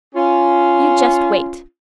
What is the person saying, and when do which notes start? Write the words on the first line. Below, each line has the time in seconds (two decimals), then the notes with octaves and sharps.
"You just wait!"
0.15 C#4 F4